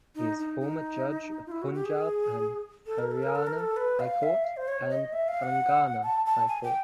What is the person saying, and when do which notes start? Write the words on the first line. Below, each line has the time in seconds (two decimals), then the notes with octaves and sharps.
He is former Judge of Punjab and Haryana High Court and Telangana High Court.
0.15 D#4
0.39 D#4
0.60 D#4
1.46 F4
1.52 E4
1.62 F#4
1.74 G4
1.85 G#4
2.86 A4
2.98 A#4
3.11 A4
3.23 A#4
3.35 A4
3.47 A#4
3.59 A4
3.76 B4
4.00 F5
4.23 E5
4.44 F5
4.57 C5
4.68 C#5
4.90 D#5
5.12 E5
5.28 F5
5.43 F#5
6.02 A5
6.26 A5
6.48 G#5
6.63 G5